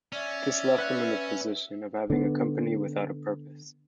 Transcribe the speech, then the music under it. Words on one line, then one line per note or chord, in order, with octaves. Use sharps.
This left them in the position of having a company without a purpose.
C#4 D5 E5
B4 F#5 F#6
D3 B3